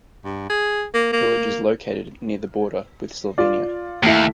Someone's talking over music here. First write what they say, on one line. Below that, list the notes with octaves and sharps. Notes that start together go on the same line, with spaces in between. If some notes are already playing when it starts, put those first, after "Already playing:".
Village is located near the border with Slovenia.
G2
G#4
A#3
A#3
F4 D5
D#2 A3 E4